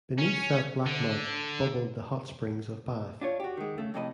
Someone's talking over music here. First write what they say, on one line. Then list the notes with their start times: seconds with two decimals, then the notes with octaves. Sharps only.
Beneath that black mud, bubbled the hot springs of Bath.
0.19 C#4
0.86 D3
3.21 D4 F4 C#5
3.40 F#4 G4
3.57 D#3 G#3
3.78 C#3 A3
3.94 F2 A2 C3 A4 D#5 B5